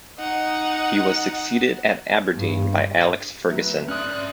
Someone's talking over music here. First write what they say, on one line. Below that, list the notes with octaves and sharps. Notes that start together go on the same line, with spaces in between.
He was succeeded at Aberdeen by Alex Ferguson.
D#4 F#5
G2
F#3 A3 B4
C#4 D5 E5 D#6 F6 F#6